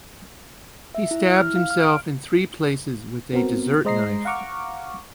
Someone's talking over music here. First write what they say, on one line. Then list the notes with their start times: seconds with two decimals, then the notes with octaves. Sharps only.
He stabbed himself in three places with a desert knife.
0.95 E5
1.11 E4
1.23 E4
1.36 F6
1.56 F5
1.71 F6
1.84 D7
3.33 B3 C4 F#4 A#4
3.85 G#3 C5 D#5 A#5 A#6 C7
4.25 F5 F#5 A#5 C#6 D6 F6